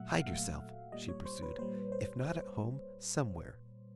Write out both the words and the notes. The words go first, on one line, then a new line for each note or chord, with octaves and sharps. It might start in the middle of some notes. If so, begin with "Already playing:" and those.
'Hide yourself,' she pursued, 'if not at home, somewhere.
Already playing: A#2 F#3 A3 E5 F#5
F5
A#2 F#3 A3 E5
A#2 G3 D#5
C#5
C5
B4
A#2 G3 C5
C5